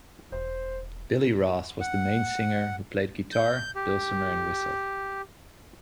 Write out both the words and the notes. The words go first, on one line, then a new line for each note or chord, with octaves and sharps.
Billy Ross was the main singer who played guitar, dulcimer and whistle.
E1 C5
F#5
G6
G4